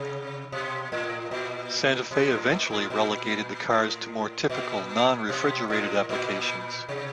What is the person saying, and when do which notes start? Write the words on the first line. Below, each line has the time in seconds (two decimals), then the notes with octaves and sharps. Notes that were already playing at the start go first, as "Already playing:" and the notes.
Santa Fe eventually relegated the cars to more typical, non-refrigerated applications.
Already playing: C3
0.52 B2
0.92 A2
1.31 A#2
2.11 B2
2.31 A2
2.50 A#2
2.70 A2
2.90 A#2
3.71 A2
4.50 A#2
5.29 B2
5.70 A2
6.10 A#2
6.89 C3